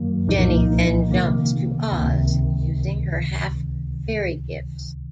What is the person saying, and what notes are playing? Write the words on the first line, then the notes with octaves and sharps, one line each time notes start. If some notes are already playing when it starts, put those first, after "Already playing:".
Jenny then jumps to Oz using her half-fairy gifts.
Already playing: F#2 D#3 F#3 A#3
C2 A#2 F3 A#3 D#4
C3 D#3 A#3
C#2 C3 D#3